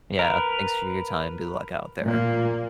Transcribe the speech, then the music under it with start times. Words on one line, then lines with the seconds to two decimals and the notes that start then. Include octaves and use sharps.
Yeah, "Thanks for your time. Good luck out there."
0.19 A#4 B4
2.02 A#2 A#3